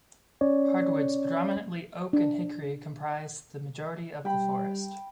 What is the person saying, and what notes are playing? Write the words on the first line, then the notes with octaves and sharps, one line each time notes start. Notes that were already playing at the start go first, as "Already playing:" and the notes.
Hardwoods, predominantly oak and hickory, comprise the majority of the forest.
C#4 C#5 D5
D4
G3 G5 B5